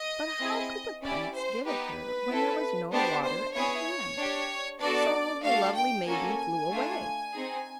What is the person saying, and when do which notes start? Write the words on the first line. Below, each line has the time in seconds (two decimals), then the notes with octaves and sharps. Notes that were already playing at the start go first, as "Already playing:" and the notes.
But how could the prince give it her when there was no water at hand? So the lovely maiden flew away.
Already playing: D#5
0.40 C4 E4 G#4
1.02 C#4 E4 G4 D5
1.34 C5
1.65 B3 D#4 G4 B4
2.28 C4 E4 A4
2.92 B3 D4 G4 C5
3.23 C5
3.55 B3 E4 G#4 C#5
4.17 D4 G4
4.80 B3 D4 F#4 A4 D5
5.43 A3 D4 F#4 A4 F5
5.76 G5
6.07 A#3 C#4 F#4 A4 G#5
6.70 A3 D4 F4
7.33 C4 D#4 G#4